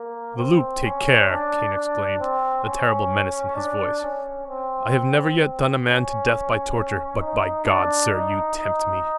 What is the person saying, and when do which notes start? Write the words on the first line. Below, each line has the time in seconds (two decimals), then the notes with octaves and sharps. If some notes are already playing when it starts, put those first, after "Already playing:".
"Le Loup, take care!" Kane exclaimed, a terrible menace in his voice, "I have never yet done a man to death by torture, but by God, sir, you tempt me!"
Already playing: A#3
0.37 C4
0.83 C#4
1.29 D4
1.75 D4
2.19 C4
2.65 C#4
3.56 D4
4.02 C#4
4.47 C4
5.39 C4
5.84 C#4
7.20 D#4
7.66 D4
8.11 D#4
8.57 D#4